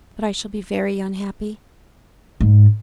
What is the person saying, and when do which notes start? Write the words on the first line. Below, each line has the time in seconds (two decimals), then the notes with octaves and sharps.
But I shall be very unhappy.
2.41 G#2